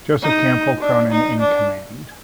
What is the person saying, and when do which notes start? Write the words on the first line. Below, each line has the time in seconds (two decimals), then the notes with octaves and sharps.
Joseph Campbell Cronin in command.
0.22 D#4
0.81 D4
1.11 D#4
1.40 D4